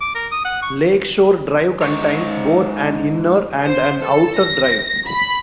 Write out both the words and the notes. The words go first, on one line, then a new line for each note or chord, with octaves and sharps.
Lake Shore Drive contains both an inner and an outer drive.
D6
A#4
D#6
F#5
C#6
G#2 C#5
C5
A4
A#6
B5